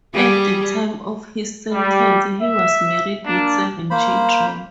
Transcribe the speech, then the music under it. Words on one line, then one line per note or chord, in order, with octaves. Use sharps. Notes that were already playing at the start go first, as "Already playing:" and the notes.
At the time of his sentence he was married with seven children.
G3 G#4
G3
E5
A#3 D4
A#3 C5 B5